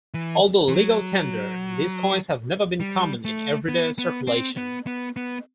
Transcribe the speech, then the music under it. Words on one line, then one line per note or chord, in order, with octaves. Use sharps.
Although legal tender, these coins have never been common in everyday circulation.
E3
E3
F#3
G3
A3
B3
B3
C4
B3
B3
B3